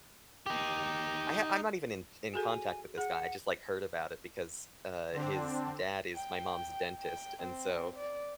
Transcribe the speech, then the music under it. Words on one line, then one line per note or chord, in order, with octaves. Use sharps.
I h I'm not even in t in contact with this guy. I just, like, heard about it because, uh, his dad is my mom's dentist, and so,
D#4 G4
F#4 G#4 A4 G#5
G#4 F#5
D3 C4 D4
G5
G5
C4
D5